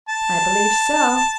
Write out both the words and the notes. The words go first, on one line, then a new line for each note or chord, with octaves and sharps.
"I believe so."
A5